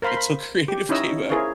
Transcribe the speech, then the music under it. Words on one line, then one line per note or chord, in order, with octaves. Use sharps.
until Creative came out.
A#4 C5 F5 B5 C6
B5
G4
C#4 D#4 E4 C#5 D#5 E6
E4 G#4 A#4 C5 C#5 F5